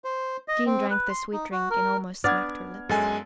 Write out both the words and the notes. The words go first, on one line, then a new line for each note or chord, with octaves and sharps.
Jean drank the sweet drink and almost smacked her lips.
C5
D#5
C4
B4
C6
D#4
F#4
A#4
B3 D4 D5 F6 G#6
F#2 G#3 A4 G#5